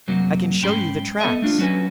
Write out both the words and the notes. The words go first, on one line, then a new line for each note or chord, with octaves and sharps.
"I can show you the tracks."
F#2 C3 F#3 A#3
G#2 C#4 G5 B5 C6
B3 A4 B4 D#5 E5
A3 D4 F4
F#3 C#4 F#4 B4 G#5